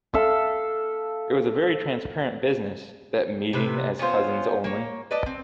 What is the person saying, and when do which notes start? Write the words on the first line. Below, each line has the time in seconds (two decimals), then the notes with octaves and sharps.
It was a very transparent business, that meeting as cousins only.
0.14 A4 E5 F5
3.53 C3 B4
3.99 B3 C#4 F4 C5
4.64 A#3 C#5
5.11 B4 D5 D#5 A5
5.26 C4